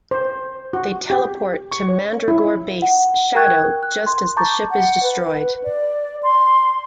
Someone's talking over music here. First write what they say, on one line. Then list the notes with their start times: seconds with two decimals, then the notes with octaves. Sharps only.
They teleport to Mandragore base Shadow just as the ship is destroyed.
0.11 C5
0.73 F#4
1.10 G4
1.72 C#6
1.89 C#5
2.28 E4
2.82 F#5
3.35 A#4 G5 C#6 F#6 G#6
3.83 F#6
4.06 C6
4.37 A5 A#5 C#6 D6 G6 A6
4.71 F#5
5.03 B4
5.64 D5
6.23 C6